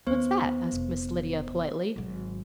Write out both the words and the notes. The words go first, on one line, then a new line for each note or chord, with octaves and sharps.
"What's that?" asked Miss Lydia politely.
D#2 B3 C5
F1
G#1 F#3